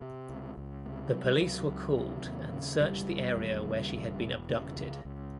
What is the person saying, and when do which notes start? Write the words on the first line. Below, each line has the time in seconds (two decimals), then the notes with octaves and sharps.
The police were called and searched the area where she had been abducted.
0.01 C3
0.29 C#2
0.57 C#2
0.86 C3
1.13 C3 F#3
1.24 G3
1.36 F#3
1.42 C#2
1.69 C#2
1.97 C3
2.25 D#2
2.53 C#3
2.81 E1 G3
3.08 E1
3.36 D#2
3.65 C#3
3.93 E1
4.20 E1
4.49 C#3
4.76 C#2
5.05 C#2